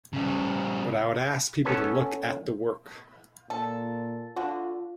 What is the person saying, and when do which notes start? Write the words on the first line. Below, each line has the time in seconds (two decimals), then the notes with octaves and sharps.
But I would ask people to look at the work.
0.13 C#3 G3
1.65 B3 C#4 A4 B4 G#5 A5
3.50 A#2 A4
4.36 D3 F4 F#4